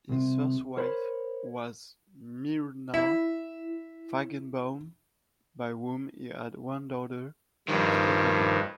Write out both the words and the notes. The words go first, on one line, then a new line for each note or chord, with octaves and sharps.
His first wife was Myrna Feigenbaum, by whom he had one daughter, Stephanie.
C2 C3
A#4 C5 C#5 B5
E4 E5
G2 D#3 F3